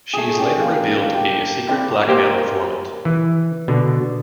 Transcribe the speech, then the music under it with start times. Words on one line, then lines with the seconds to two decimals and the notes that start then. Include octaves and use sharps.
She is later revealed to be a secret blackmail informant.
0.13 A3 G#4
0.36 C#4 D4 G4 D5
0.61 A#3 F5
0.98 D4 F5
1.14 G4
1.68 C4 E4 D5 A5
2.07 A#3 G4 C5
3.05 E3
3.68 B2 D3